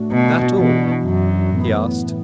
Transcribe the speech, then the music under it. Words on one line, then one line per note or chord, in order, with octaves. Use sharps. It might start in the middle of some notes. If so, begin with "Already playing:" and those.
"That all?" he asked.
Already playing: A2 A3 D4 F#4
B2
B2 E3 D4 F#4
F#2
A2 E3 B3